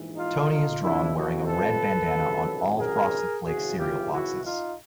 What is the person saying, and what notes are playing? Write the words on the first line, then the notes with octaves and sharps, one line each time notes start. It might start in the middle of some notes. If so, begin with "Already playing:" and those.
Tony is drawn wearing a red bandana on all Frosted Flakes cereal boxes.
Already playing: A#1 G#2 E3
D#4 F4
D#4 F4
F2 C3 F3 D4 E4
E4 F#4
A4 B4
C#2 C3 D#3 F#3
G#4 A#4
G#1 F#2 C#3 E3 F#4 G#4
F4 G4
E4 F#4
D#4 F4